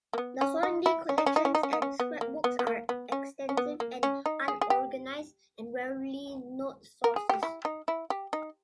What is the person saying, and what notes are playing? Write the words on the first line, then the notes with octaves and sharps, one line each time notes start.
The Hornby collections and scrapbooks are extensive and unorganised, and rarely note sources.
A#3
B3
C#4
D#4
E4
C#4
D#4
C#4
D#4
C#4
D#4
C#4
D#4
C#4
B3
A#3
B3
B3
A#3
B3
C#4
C#4
B3
A#3
C#4
D#4
G#4
G#4
G4
A#4
G#4
G4
E4
D#4
E4
G4
D#4